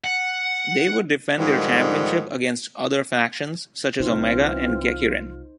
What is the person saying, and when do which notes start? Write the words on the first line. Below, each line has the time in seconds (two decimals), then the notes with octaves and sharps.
They would defend their championship against other factions such as Omega and Gekirin.
0.04 F#5
1.38 G#2 D3 D#3 F3 G3
3.99 C2 E3 B3 C4 D#4 F4 C5